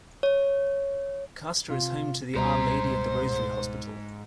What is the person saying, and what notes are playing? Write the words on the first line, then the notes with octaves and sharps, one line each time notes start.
Castor is home to the Our Lady of the Rosary Hospital.
C#5
C3 F4
C#2 G#2 B2 G3 C5 A#5